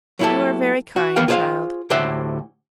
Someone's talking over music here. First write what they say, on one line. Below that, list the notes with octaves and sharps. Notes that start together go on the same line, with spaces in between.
'You are very kind, child.
F#3 A#3 E4 F#4 G4 A4
F#4
D#2 E3 B3 A#4 F5 G5
F4 G#4 C5 D5 F5
D2 A2 G4 C5 E5 F#5